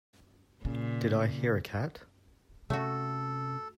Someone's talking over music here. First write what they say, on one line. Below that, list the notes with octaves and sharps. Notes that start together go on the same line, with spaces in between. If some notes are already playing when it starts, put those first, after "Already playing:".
Did I hear a cat?
A#2 C#3
C3 A3 C4 C#4 F#4 A4